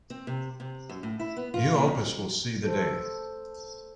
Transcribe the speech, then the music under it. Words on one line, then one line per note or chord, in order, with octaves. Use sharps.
New opus will see the day.
C4
C3
C3
F#2
A2
E4
B3
F4
A#2
F2
A4 C5